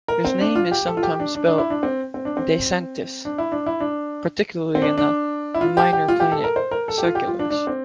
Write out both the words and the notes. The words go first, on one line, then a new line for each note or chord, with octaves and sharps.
His name is sometimes spelt DeSanctis, particularly in the Minor Planet Circulars.
A#4
C4
D4
F4
G4
A4
F4
G4
D4
D4
D4
E4
D4
C4
C4
D4
C4
D4
E4
D4
E4
D4
C4
D4
D4
E4
F4
G4
G4
F4
G4
A4
A#4
C5
A#4
A4
G4
F4
G4
F4
D4
D4
C4